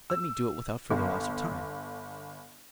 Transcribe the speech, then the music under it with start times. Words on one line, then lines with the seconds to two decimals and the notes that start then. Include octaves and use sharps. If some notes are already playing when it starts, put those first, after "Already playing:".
Let me do it without further loss of time.
0.10 E6
0.91 G1